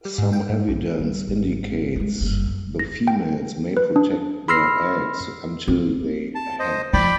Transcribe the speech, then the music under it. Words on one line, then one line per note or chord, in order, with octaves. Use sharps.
Some evidence indicates the females may protect their eggs until they hatch.
G3
G#2
G5
G#2
B1
G3
G#1
G3 G#3
F#1 G2
F#2
A#6
G5
B4
D4
B5 C6 E6 F6 A#6 C7
C4
A5
C5 D#5
F3 D5 G5 B5